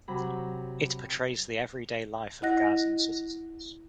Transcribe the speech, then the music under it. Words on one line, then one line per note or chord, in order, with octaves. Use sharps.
It portrays the everyday life of Gazan citizens.
C3 F#3 A#5 B5
E4 D#5 F#5 F#6 A#6